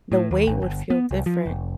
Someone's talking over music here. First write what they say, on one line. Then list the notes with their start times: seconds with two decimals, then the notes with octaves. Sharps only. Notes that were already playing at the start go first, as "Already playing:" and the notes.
The weight would feel different.
0.12 A2
0.31 D#2
0.47 G#1
0.62 G1
0.90 B3
1.11 C2
1.26 F3
1.46 F1